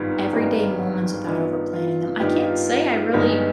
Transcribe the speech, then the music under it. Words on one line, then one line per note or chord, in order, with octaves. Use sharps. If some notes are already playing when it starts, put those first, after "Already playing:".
Everyday moments without overplanning them, I can't say I really
Already playing: G#1 G2 D#3 G3 B3 F4
G#1 G2 D#3 G3 B3
G2 D#3 B3 F4
F4
G2 D#3 B3 G4
F4
D#4
F4
F4
G1 G2 D#3 G#3 B3 D#4